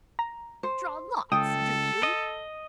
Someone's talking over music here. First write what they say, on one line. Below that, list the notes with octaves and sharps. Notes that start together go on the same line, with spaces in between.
Draw lots, do you?
A#5
C5
C#2 A4 G5 D#6
D#5